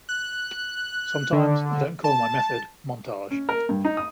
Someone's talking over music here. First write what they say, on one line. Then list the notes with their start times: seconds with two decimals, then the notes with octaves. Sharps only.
Sometimes I don't call my method 'montage'.
0.09 F#6
1.33 D3
2.04 A5
3.31 C#4
3.49 A#4
3.69 G2
3.85 D#4
3.97 D#6